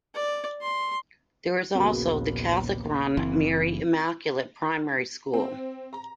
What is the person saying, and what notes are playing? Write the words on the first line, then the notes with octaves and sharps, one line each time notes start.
There is also the Catholic run Mary Immaculate Primary School.
D5
C6
A#1 D#2 C#3 A#3 B3 F#4
F#1 E3 C4
C4
A#5